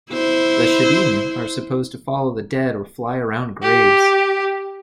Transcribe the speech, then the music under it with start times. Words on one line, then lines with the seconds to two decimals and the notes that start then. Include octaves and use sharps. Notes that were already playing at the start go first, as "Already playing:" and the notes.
The "shedim" are supposed to follow the dead or fly around graves.
0.11 E4 C5
3.62 G4